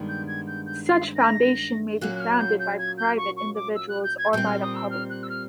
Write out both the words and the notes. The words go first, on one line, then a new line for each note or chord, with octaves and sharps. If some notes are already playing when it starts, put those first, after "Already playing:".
Such foundation may be founded by private individuals or by the public.
Already playing: G2 D#3 G#3 B3 D4
G6
G#6
G6
G6
C7
A#6
A#2 F#3 A#3 C#4 F#4 F#6
F#6
F6
F#6
G6
G6
G#6
G6
C#6
C#6
D6
E6
F#6
G6
G#6
A#2 G3 C4 G6
F6
D#6
E6
F6
F#6
E6
F6